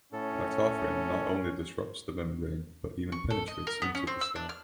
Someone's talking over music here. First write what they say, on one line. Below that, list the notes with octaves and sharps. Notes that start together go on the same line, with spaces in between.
Lactoferrin not only disrupts the membrane, but even penetrates into the cell.
A2 C#4 A4
C#6
A4
D#5
A#4
B3
C#4
C4
E6
D4
F6